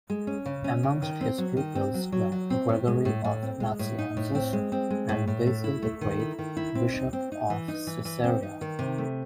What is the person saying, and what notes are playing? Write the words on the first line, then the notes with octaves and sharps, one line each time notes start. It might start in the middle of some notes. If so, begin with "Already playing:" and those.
Amongst his pupils were Gregory of Nazianzus and Basil the Great, bishop of Caesarea.
G#3
C#4
C#3
C#4
C#3
D#3
C4
F#3
D#3
C4
F#3
F#3
F#3
C4
A2
G#3
A2
A2
C4
G#3
A2
D#4
A2
C4
G#3
C4
G#3
A2
A2
A3
E4
A3
D#3
E4
D#3
E4
C4
D#4
C4
D#4
E3
D#4
E3
E3
C4
D#4
D#3
C3
A3